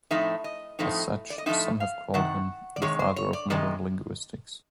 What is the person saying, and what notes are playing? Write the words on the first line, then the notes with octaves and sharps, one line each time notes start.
As such, some have called him "the father of modern linguistics".
A2 F3 A3 C4 D#4 E5
D#5
A2 F3 A3 C4 D#4
D5
D#5
A2 F3 A3 C4 D#4 E5
F5
C3 D#3 F#5
D5
C3 D#3 G#3 C#5
C5
C#5
D5
C3 D#3 G#3 D#5